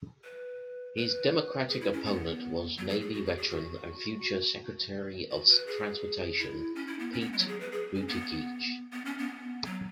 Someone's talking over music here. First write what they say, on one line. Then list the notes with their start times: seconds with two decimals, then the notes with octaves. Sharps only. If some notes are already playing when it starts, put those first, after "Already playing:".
His Democratic opponent was Navy veteran and future Secretary of Transportation Pete Buttigieg.
0.24 B4
0.97 B4
1.69 G#4
1.81 E4
1.93 C#4
2.05 B3
2.77 F#3
2.89 G#4
3.01 G#4
3.14 F#4
3.25 G#4
3.38 G#4
3.50 F#4
5.31 F#4
5.49 B4
5.67 G#4
6.39 E4
6.76 C#4
6.87 E4
6.99 B3
7.13 C#4
7.21 B3
7.33 G#3
7.39 F#3
7.48 G#4
7.60 B4
7.72 G#4
7.96 C#4
8.08 B3
8.93 B3
9.05 C#4
9.18 B3
9.65 F#3